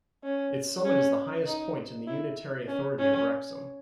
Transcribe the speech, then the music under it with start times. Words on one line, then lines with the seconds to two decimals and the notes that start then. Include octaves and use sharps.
Its summit is the highest point in the unitary authority of Wrexham.
0.24 C#4
0.85 C#4
1.46 D#4
2.07 E4
2.68 C#4
2.99 C#4